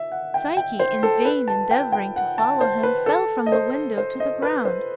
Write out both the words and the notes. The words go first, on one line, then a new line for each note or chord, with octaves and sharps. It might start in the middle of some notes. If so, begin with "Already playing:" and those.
Psyche, in vain endeavoring to follow him, fell from the window to the ground.
Already playing: E5
F#5
G5
G5
C5
A4
B4
A5
G5
G5
F#5
A5
C5
B4
A4
D#5
C5
C5
D#5
B4
C5